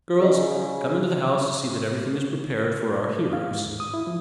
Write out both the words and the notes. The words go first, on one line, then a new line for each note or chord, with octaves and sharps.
"Girls, come into the house to see that everything is prepared for our heroes."
C#3 G#4 D5 D#5
F5
G#2
D#2
D#6
E4
F3